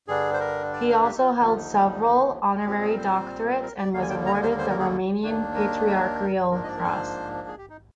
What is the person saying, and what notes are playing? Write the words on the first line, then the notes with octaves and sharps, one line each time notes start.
He also held several honorary doctorates, and was awarded the Romanian Patriarchal Cross.
G2 D3 G3 D4 G#4
C5
A#4
D5
A#4
G4
D#4
F4
D#2 D3 F3 D#4
F4
D#4
G#4
A#2 G3 C4 G4
G#4
A#4
C5
A#4
D5
D#2 D3 G3 A#3 F5
G#5
G5
A#5
G#5
C5
A#4
C5
A#4
G#4
D#2 D#3 A#3 D4
A#4
A#4
G#2 F3 A#3 D4 A#4
D#5
D5
A#4
C5
G#4
G4
D#4